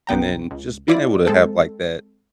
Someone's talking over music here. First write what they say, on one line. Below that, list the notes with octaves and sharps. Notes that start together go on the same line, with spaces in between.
and then just being able to have, like, that
B1 B3 G5 A#5
C#2
E4 F4 D5
G#3 C4 A4